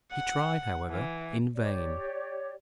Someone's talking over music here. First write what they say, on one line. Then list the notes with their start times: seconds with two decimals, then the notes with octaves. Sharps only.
He tried, however, in vain.
0.12 F#5
0.91 E3
1.55 G4 C#5 D5